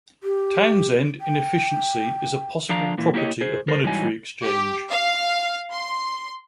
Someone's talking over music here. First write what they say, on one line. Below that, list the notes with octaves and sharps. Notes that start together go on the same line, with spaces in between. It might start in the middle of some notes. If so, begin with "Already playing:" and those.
Townsend inefficiency is a possible property of monetary exchange.
G4
G5
D3 F3 D4 F5 A#5
A#2 E3
A#3 E4 G4 C#5 D#5
G#4 C5
A4 A#4 C5
G#2 E3 F#3 G3 D#4 G#5
G4
F5
C6